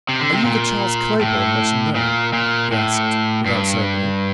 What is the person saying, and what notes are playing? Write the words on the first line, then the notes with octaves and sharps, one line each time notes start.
"Are you the Charles Claybourne mentioned there?" he asked, without ceremony.
C3
D3
C3
A#2
A2
A#2
A#2
A2
G2